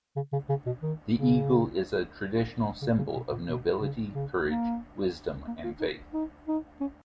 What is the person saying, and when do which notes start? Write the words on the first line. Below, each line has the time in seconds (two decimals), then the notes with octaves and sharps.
The eagle is a traditional symbol of nobility, courage, wisdom, and faith.
0.16 C#3
0.33 C#3
0.49 C#3
0.66 B2
0.82 D#3
1.15 C#3
2.82 C#3
2.98 C#3
3.15 B2
3.31 A#2
3.49 B2
3.81 C#3
4.15 C#3
4.47 A#3
5.47 A#3
5.64 F4
5.80 D#4
6.14 D#4
6.48 D#4
6.81 C#4